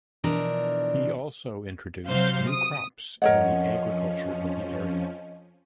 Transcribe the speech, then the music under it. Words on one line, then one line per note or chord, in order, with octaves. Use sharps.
He also introduced new crops in the agriculture of the area.
B2 E3 F3 D4 A#4
C3 F#3 C5 F5 G6
D#6
F2 F3 C#4 A#4 C#5 D#5 F#5